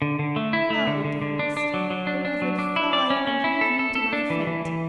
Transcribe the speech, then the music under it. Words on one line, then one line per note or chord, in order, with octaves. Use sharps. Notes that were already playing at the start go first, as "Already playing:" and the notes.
Fly, dearest!--beloved, fly! and leave me to my fate!'
D3
D3
A3
E4
A3
D3
D3
D3
D4
D4
F#3
F#3
D4
D4
F#3
D4
E4
D5
C#4
C#4
E4
A4
A4
A4
D4
E3
E3
E3